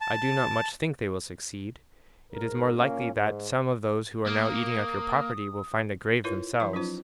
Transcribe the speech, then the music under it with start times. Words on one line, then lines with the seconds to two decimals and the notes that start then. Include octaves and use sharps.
I do not much think they will succeed; it is more likely that some of those who are now eating up your property will find a grave themselves.
0.01 A5
2.33 G#2 A#4
2.78 A#2 A#3 C#4
3.15 G#2
4.26 A#3 D#6
6.24 E4 F4 A#4 B4 C#5
6.60 F3 E4 B4 C#6
6.73 F#3 C#4 D#4 F4 C5